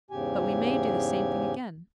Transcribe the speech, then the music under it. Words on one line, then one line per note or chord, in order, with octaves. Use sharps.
But we may do the same thing again.
E2 G#2 C#3 G4 G#5